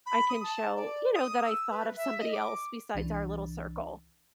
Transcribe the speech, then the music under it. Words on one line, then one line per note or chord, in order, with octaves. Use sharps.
I can show, you know, that I thought of somebody else besides our little circle.
B5
D#6
A5
D5
D#6
E6
B4
E5
D#5
D6
C2 E3 D4